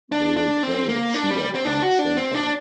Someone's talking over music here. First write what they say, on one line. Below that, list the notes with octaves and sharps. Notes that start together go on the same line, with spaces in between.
They will play at Cedar Park Center.
D4
D4
C4
A#3
D4
G3
C4
D4
F#4
D4
C4
D4